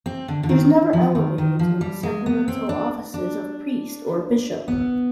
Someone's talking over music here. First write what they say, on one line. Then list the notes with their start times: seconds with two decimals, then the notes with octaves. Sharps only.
He was never elevated to the sacramental offices of priest or bishop.
0.06 C4
0.28 D3
0.43 D3
0.49 D#3
0.93 F3
1.15 D#3
1.38 D#3
1.59 F3
1.81 G3
2.03 G#3
2.26 B3
2.48 C4
2.69 D4
3.14 D4
4.68 B3